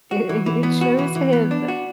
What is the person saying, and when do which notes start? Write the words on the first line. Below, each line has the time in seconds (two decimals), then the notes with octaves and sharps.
it it shows him
0.11 F#4
0.29 E3
0.46 E3
0.63 B3
0.81 F#4
0.99 E3
1.16 E3
1.33 B3
1.51 D4
1.68 F#4